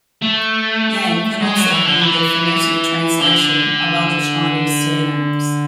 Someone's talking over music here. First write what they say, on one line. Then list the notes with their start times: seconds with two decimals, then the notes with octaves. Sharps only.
"Yang" can also be the phonetic translation of other Chinese surnames.
0.22 A3
1.41 G#3
1.56 F#3
1.71 E3
1.86 D3
2.01 E3
3.20 D3